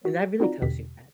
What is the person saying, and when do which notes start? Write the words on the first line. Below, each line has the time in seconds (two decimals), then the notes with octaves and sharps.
and that really tells you that
0.05 F#4
0.40 C4 D#4 F4 F#4 D5 A#5
0.62 E2 B2 D3 G4 B6